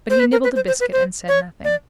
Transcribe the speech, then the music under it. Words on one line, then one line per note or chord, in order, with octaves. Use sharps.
But he nibbled a biscuit, and said nothing.
C5
B4
A#4
B4
C5
C5
B4
C5
C#5
D5